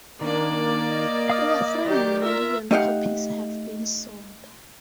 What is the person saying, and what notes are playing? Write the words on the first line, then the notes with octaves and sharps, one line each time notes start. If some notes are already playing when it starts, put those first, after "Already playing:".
Over three million copies have been sold.
D#3 A#3 D4 D5
D#5
F5 D#6 F6
D#3 F#3 G4 D5
F4 A#4 E5
A3 D#4 G4 F5 F#5